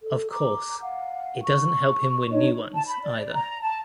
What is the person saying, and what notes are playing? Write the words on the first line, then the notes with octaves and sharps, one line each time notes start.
Of course, it doesn't help him win new ones, either.
A4
A#5 D6
F5 F#5
C#6
D4 D#4 C#5 D#5
A5
B5
D5
A#5
A5